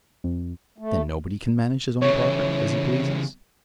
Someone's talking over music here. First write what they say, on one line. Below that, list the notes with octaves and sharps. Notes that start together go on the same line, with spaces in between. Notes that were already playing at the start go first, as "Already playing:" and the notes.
"Then nobody can manage his own property as he pleases?"
F2
A3
C#3 E3 C#5